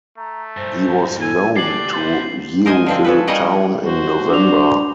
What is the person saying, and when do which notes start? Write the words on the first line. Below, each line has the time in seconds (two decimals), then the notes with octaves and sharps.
He was loaned to Yeovil Town in November.
0.18 A3 A#5
0.57 G2 A#2 C5
1.21 A4 G#5
1.56 D4 G4 A4 D5 C7 F#7
1.93 A4 B4 C5
2.66 A#4 C5 D#5 G#5
2.86 D3 F3 C4
3.05 C#4 A4 B4
3.27 G3 A#3 C#4 D#5 F#5
3.84 F#4 C5
4.30 D4 D6 F7